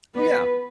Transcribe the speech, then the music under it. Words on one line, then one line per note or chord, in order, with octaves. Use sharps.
Oh, yeah.
B3 B4